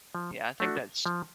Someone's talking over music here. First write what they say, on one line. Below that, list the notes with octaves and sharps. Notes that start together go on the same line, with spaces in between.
Yeah, I think that's
F3
A3 D4 F#4
F3